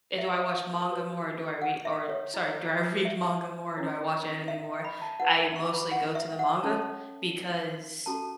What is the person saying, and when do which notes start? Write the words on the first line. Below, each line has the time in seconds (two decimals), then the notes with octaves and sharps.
eh, do I watch manga more, or do I re or sorry, do I read manga more, do I watch anime more? I mostly go to the manga, because
0.18 E5
0.90 F#4 B4
1.62 F#5
1.85 E5
2.09 C#5
2.34 E4 C#5
3.05 E5
3.77 C#4 E4 C#5
4.48 E5
4.84 B5
5.02 A5
5.20 E4 B4 F#5
5.38 E5
5.56 C#6
5.74 B5
5.92 F#5
6.15 E5
6.39 F#5
6.63 C#4 A4 C#5 A5
8.06 C#4 F#4 A4 A5